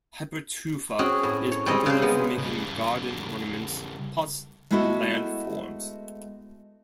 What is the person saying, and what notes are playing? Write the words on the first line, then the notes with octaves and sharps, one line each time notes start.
Hypertufa is popular for making garden ornaments, pots and land forms.
C4 C#4 F#4 G#4
A2
C#5
G3 G#3 C4 D#5
C#3 D4 C5
G#3 B3
C#3 G3
G#3 A3 B3 E4 F#4 A4